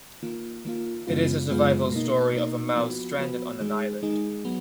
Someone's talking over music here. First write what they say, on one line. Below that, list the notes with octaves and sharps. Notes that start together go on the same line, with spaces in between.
It is a survival story of a mouse stranded on an island.
D#3 A#3 F4
D#3 A#3 F4
F#2 C#3 G#3 B3 F4
F#2 C#3 G#3 B3 F4
B2 A#3 D#4
B2 A#3 D#4
F3 B3 F#4 B4
F3 B3 F#4 B4
D#3 G#3 D#4 G#4
D#3 G#3 D#4 G#4
F#3 B3